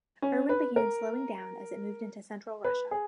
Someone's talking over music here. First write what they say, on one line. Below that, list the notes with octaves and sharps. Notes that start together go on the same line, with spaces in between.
Erwin began slowing down as it moved into Central Russia.
C#4
B4
A#4
B4
G#4